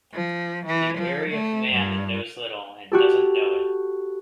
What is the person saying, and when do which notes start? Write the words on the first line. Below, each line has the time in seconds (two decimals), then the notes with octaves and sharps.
Be wary of the man that knows little, and doesn't know it.
0.14 F3
0.66 E3
0.98 F3
1.30 A3
1.72 G2
2.92 F#4 G4 A4